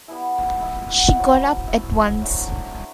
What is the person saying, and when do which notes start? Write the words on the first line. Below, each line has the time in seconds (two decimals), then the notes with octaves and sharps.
She got up at once.
0.08 G3 B3 E4 A5
0.36 G5
0.61 E5
0.88 F#5
1.15 F#3 C4 E4 G5
1.67 E5
2.21 F#3 A3 D4 G5